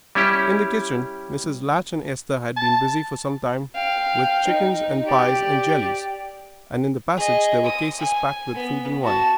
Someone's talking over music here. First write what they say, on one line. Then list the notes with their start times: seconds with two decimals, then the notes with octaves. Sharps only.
In the kitchen Mrs. Latch and Esther had been busy for some time with chickens and pies and jellies, and in the passage there were cases packed with fruit and wine.
0.15 G3 C#4 E4 G4
2.57 A5
3.74 F5 G5
4.47 D#4
5.05 G4 D5
7.17 G#4 D#5
7.64 D#6
7.99 G#5
8.54 B3
9.03 F#4 A5